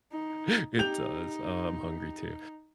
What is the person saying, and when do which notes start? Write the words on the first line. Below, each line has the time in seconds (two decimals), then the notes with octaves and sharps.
It does, oh, I'm hungry too,
0.12 D#4
0.79 D#4 G4 G6 F7